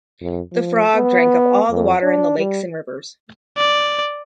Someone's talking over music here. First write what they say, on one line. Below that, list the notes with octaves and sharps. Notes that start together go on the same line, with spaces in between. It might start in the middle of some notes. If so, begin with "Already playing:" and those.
The frog drank up all the water in the lakes and rivers.
F2
F3
B3
F2
D4
G3
D5